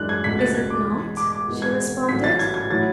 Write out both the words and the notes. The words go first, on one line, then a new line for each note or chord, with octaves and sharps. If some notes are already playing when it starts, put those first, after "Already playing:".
"Is it not?" she responded.
Already playing: F#2 E3 G#3 D4 F#6
G#6
C#2 B2 A3 B6
A6
G#6
D6
E2 B2 G#3
D6
D6
E1 E2 B2 G#3 B3
G#6
A1 A2 F#3 B6
A6
G#6
G#6
A2 F#3 A3 E4 A6